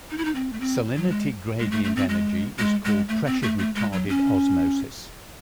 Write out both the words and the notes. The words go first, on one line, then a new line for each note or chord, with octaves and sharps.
Salinity gradient energy is called pressure-retarded osmosis.
D#4
E4
D#4
C4
A3
C4
F#3
G#3
G#3
A3
A3
C4
G#3
G#3
G#3
A3
C4
A3
A3
G#3
F#3
C#4